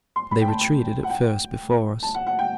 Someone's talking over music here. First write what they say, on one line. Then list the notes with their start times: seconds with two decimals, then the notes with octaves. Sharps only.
They retreated, at first, before us.
0.16 C6
0.31 B5
0.41 G5
0.48 A5
1.04 F#5
1.10 G5
2.03 A5
2.15 F#5
2.27 F#5
2.39 G5